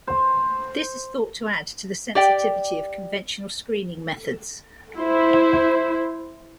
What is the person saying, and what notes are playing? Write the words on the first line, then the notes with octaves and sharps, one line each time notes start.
This is thought to add to the sensitivity of conventional screening methods.
C5
G4 D5 G5
E4 C5